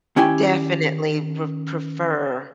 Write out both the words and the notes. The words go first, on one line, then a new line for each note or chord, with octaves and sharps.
Definitely re prefer
D#3 C#4 E4 G4 G5 G#5